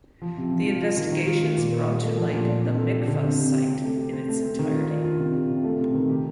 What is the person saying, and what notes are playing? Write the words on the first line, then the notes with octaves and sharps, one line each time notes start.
The investigations brought to light the Mikvah site in its entirety.
F3
C3
F3
F4
F4
D#3
D#3
F4
D#3
A#2
A#3
G3
A3
F3
A#2
D4
C3
A4
G4
D3
C4
C3
G4
C3
A3
G4
C4
A3
C4
D#3
F4
D4
F4
C3
C3
C3
A3
C3
D#3
G4